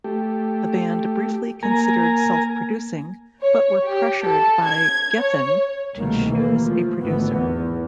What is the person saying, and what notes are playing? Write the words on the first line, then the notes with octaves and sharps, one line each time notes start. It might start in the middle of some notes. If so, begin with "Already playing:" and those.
The band briefly considered self-producing, but were pressured by Geffen to choose a producer.
A3 G4
A#3 A#4 G#5 A#5
C#5
G4
A4
G#6
C#5
C2 B2 D#3 A3 A#3
D#2 E3 A#3
F3 A3
G#1 D2 A2 E3 B3
E2